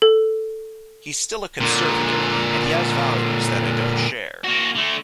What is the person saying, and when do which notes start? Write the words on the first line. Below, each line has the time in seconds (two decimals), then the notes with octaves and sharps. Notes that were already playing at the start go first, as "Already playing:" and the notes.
He's still a Conservative and he has values that I don't share.
0.02 A4
1.61 A#2 D3
4.44 A#3 F#4
4.75 D3 A3